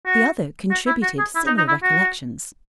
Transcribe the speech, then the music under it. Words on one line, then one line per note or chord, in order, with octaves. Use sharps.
The other contributed similar recollections.
F#4
F#4
E4
F#4
G#4
E4
D#4
D#4
E4
F#4